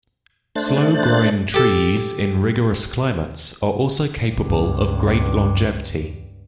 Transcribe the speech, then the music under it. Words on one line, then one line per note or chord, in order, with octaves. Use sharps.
Slow-growing trees in rigorous climates are also capable of great longevity.
A3 D4 C5 F#6 A6
G4 A4
C#2 G2